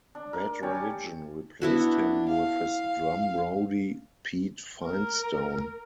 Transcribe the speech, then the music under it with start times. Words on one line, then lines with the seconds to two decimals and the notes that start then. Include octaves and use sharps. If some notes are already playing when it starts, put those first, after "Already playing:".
Bad Religion replaced him with his drum roadie, Pete Finestone.
0.15 D4
0.33 A#4
0.63 C#4 G4 C#5 A5
1.62 B3 D4 E4 F#4
2.28 F5
4.85 A#4